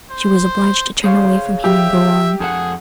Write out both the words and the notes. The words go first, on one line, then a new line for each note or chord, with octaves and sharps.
She was obliged to turn away from him and go on.
C5
G#4 C5 C#5 F5
G4 E5
F2 G#4 A4 F#5